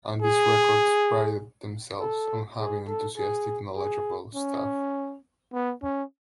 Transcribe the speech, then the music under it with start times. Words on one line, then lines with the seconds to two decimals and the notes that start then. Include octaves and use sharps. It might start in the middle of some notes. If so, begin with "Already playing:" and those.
Andys Records prided themselves on having enthusiastic knowledgeable staff.
0.22 G#4
1.99 A4
2.58 G#4
2.88 A4
3.17 G#4
3.76 G#4
4.35 C#4
5.53 B3
5.83 C#4